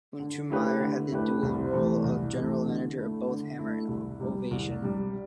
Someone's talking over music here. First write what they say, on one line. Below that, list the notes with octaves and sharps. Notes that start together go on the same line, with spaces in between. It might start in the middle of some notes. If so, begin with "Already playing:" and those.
Untermyer had the dual role of general manager of both Hamer and Ovation.
D3
A3 E4 G4 B4
D3
A3 E4 G4 B4
C2
C3 E3 A3
C2
C3 E3 A3
D3
A3 E4
D3
A3 E4
C2
C3 G3
C2
C3 G3